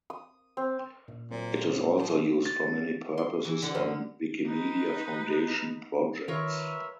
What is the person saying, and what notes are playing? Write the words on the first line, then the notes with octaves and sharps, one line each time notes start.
It is also used for many purposes on Wikimedia Foundation projects.
D#6
C4
A#2
A#2 F#3 C4
E2 C4 C#4
F3
A6
C6
E3
D3
F#2
D#4 B4
D#3 F4 A#4 B4 C#5 E5